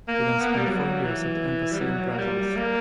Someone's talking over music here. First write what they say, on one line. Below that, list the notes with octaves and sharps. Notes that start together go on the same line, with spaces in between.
He then spent four years at the embassy in Brussels.
A#3
B3
A#3
G3
F#3
E3
G3
F#3
A#3
G3
A#3